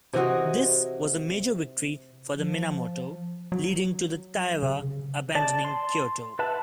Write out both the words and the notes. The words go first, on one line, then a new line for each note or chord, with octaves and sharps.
This was a major victory for the Minamoto, leading to the Taira abandoning Kyoto.
C3 E3 F#4 D#5
F3
F#3
C#3
D5 A5
C6
B4 E5 F#5 A5